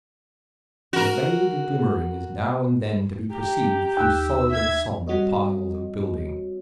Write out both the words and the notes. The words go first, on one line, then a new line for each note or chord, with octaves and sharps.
A vague glimmering is now and then to be perceived through solid and sombre piles of building.
F#4 A#4
G4 A#5
D#2 E6 F#6
E5 G#6
G3 C4 F#4 C#5 D#5